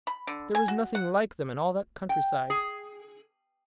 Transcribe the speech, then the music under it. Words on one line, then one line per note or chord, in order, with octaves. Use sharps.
There was nothing like them in all that countryside.
B5
D3
G#5
F#4
F#5
G5
G#4